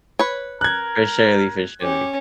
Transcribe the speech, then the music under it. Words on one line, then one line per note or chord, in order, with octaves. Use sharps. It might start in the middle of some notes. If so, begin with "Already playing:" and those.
for surely, for surely.
B4 C#5
A#4 F#6 G#6
C#4 G4